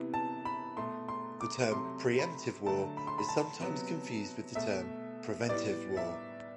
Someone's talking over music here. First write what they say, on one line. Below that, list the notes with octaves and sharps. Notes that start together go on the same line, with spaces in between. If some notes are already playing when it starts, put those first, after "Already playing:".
The term 'preemptive war' is sometimes confused with the term 'preventive war'.
Already playing: C3 E3 B3
A5
B5
B2 A3 C6
C6
D6
C3 F#3 A3 C6
B5
D3 F#3 A3 A5
B5
C6
B5
A5
C3 F#3 B3
B2 A3 E5
A2 G3 B3 D5
E5